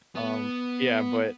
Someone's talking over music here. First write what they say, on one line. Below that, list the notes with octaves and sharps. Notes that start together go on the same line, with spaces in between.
Um, yeah, but
B3